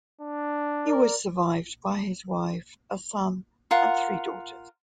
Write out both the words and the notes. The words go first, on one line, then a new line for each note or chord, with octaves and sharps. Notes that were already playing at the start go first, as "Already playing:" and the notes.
He was survived by his wife, a son, and three daughters.
D4
A#4 D5
F4 A#4 F#5